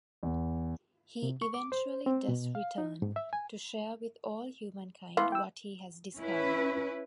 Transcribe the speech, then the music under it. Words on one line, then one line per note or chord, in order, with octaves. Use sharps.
He eventually does return, to share with all humankind what he has discovered.
E2
C3
C#6
D6
C5
C4
B2
F5
D#4
G#2
E5
G#5
E3 B3 F5 C6
G5 E6
C#4 E4 B4